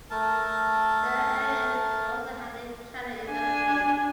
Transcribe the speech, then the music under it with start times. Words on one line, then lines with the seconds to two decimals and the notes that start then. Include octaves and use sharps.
The area also had a cattle industry.
0.11 A3 A#4 A5
3.29 D4 G#5